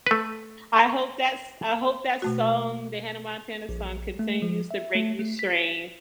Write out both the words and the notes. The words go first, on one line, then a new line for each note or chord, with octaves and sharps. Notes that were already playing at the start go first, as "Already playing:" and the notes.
I hope that s I hope that song, the Hannah Montana song continues to bring you strength.
A3 B4
B2 A3 F#4
A#1
A3
F3
E5
A3
A3
B6